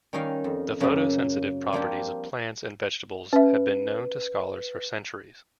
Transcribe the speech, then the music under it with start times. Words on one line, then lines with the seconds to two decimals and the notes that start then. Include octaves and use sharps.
The photo-sensitive properties of plants and vegetables have been known to scholars for centuries.
0.13 D#3 G3 C#4 D#4 A#4 F5
0.44 F2
0.80 F#2 C#3 A#3 B4 D#5 A5
1.73 F3 G3 A#3 C4 D4 G4
3.33 C#4 B4 E5